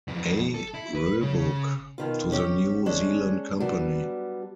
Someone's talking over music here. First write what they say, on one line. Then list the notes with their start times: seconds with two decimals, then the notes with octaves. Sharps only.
A. Roebuck to the New Zealand Company.
0.08 F2 E3
0.54 A4
0.74 E4
0.95 B4
1.21 C#3 C#4
1.98 B2 D#3 F4
2.32 C#4 G4 G5
2.86 G#3 C#4 D4
3.60 F#3 G3 B3 D4